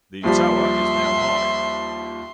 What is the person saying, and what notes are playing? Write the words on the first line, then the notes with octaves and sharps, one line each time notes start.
The tower is now high.
D#2 F3 G3 E5 C6